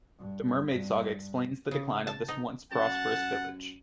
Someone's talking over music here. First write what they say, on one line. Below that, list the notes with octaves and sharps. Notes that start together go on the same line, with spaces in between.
The mermaid saga explains the decline of this once prosperous village.
G2
G2
C#3
A5
D#4
F#2 F#5 A5